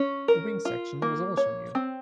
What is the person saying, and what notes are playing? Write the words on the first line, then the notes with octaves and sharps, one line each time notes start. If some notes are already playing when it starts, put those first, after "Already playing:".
The wing section was also new.
Already playing: C#4
A#4
F4
A#3
C#5
C4